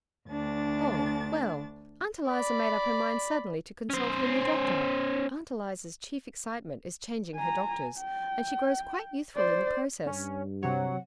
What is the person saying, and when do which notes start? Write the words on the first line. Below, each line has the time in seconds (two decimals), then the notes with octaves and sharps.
'Oh well, Aunt Eliza made up her mind suddenly to consult her new doctor--Aunt Eliza's chief excitement is changing her doctors, and she grows quite youthful in the process.
0.30 D2 D4 A6
2.29 D5 B5
3.90 C#4 C5
7.35 G#5 A#5
8.00 G5
9.36 C5 D5
10.06 G2 C#4
10.63 C3 F#3 C#5 F#5